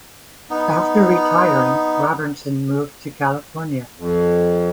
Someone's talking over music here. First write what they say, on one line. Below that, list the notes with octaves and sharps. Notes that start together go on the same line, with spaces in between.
After retiring, Robertson moved to California.
B3 D#4
F2